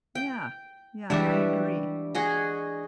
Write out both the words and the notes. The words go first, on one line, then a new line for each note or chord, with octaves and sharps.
Yeah. Yeah, I agree.
G5
E3 G3 G#3 D4 F#4 D5 E5
F#4 G#4 D#5